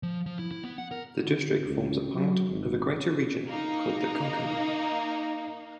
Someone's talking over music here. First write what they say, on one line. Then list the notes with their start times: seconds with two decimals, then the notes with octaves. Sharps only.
The district forms part of a greater region called the Konkan.
0.03 F3
0.26 F3
0.39 E4
0.51 E4
0.63 B3
0.78 F#5
0.91 A#4
1.24 D3
1.65 C#2
2.14 F#3
2.49 G#1
3.47 A#3 D#4